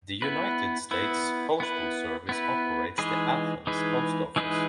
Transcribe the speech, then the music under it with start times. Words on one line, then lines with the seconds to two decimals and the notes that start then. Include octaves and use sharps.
The United States Postal Service operates the Athens Post Office.
0.22 B3 E4 B4
0.91 B3 E4 B4
1.60 B3 E4 B4
2.29 B3 E4 B4
2.98 E3 G#3 D#4 G#4 B4
3.67 E3 G#3 D#4 G#4 B4
4.36 E3 G#3 D#4 G#4 B4